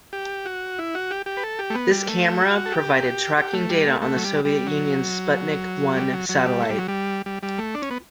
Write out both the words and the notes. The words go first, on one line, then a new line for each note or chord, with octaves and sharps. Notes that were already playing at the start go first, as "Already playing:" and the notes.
This camera provided tracking data on the Soviet Union's Sputnik I satellite.
G4
F#4
E4
F#4
G4
G4
B4
A4
G4
A3
B3
G3
A3
F#4
A4
G4
G4
A3
G3
A3
A3
F#3
G3
G3
F#3
G3
F#3
F#3
G3
A3
G3
F#3
G3
G3
G3
A3
D4
C#4
B3